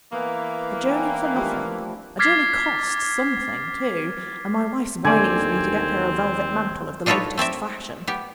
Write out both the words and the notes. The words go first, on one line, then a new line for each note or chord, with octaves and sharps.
A journey for nothing; a journey costs something, too, and my wife's whining for me to get her a velvet mantle of the latest fashion.
E3 A#3 B3
D4 G5 G#5
F3 G3 A3
D6 F6 G#6 A6 B6 C7
D#2 D3 C4 D5 G#5
D4 D#4 F4 A4 B4 C#5
A3 C4 D5 E5
B3 G4